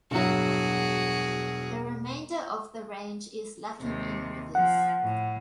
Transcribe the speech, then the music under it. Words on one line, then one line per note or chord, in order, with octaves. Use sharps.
The remainder of the range is lacking in rivers.
E1 G2 F#3 E4 F#4 G#4
D#2 C3
F3 F#5
A2